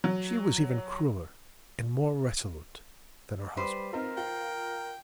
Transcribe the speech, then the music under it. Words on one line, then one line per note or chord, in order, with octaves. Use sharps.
She was even crueler and more resolute than her husband.
F#3
G3 B4 C5
C4 D#4 F4 A#4
F4 G5